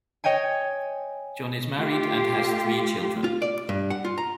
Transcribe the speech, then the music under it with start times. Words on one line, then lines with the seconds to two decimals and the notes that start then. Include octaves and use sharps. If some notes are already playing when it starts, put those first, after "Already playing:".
John is married and has three children.
0.24 C#5 D#5 G5 G#5
1.76 A3 F4 G4
3.24 F4
3.42 D5
3.69 G2
3.90 F#5
4.05 F4
4.18 A#5